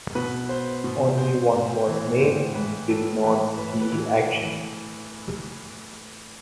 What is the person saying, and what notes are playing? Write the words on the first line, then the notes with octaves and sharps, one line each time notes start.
Only one was made and it did not see action.
B2 B4
C5
B2
C5
A2
E3
A2 C5
E3 B4
A2 A4
E3 B4
A2 B4
B4
E3